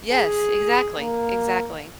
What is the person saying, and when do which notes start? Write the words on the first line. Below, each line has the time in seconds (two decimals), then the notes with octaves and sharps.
Yes, exactly, exactly.
0.12 G#4
0.99 A#3